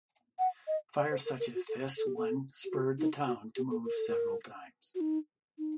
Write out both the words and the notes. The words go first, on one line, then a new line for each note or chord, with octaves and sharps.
Fires such as this one spurred the town to move several times.
F#5
D#5
D5
C5
A#4
A#4
F#4
A4
A4
G4
A4
G4
F#4
D#4
F#4
G4
A4
A#4
A4
A#4
F#4
D#4
D#4